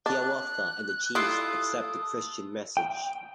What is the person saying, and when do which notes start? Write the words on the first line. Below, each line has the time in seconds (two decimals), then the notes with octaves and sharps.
Hiawatha and the chiefs accept the Christian message.
0.06 D4 F#6
1.15 G3 E4 F4 A4 D#6
2.77 G5